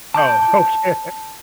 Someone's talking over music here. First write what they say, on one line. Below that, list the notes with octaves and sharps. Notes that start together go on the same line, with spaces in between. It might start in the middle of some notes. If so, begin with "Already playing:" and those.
Oh, okay.
A5 D6 G6